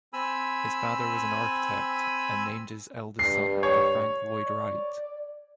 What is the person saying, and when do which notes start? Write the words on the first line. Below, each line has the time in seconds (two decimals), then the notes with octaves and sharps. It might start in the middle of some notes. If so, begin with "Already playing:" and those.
His father was an architect and named his eldest son after Frank Lloyd Wright.
0.13 C4 G#5 B5 E6
3.19 G2 C7
3.63 C#5
4.46 D5